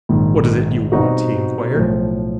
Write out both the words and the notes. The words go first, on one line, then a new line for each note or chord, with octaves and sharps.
"What is it you want?" he inquired.
A#1 G#2 D#3
B2 G3 C4 D#4 F#4
B1 A2 F3